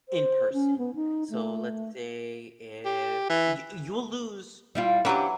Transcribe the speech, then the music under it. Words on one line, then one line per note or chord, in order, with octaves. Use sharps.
in person. So, let's say if you you'll lose
C5
C#4
B3
D#4
A3
G4
E3
G3 E4 F4
E3 F#3 C#4 D4 G4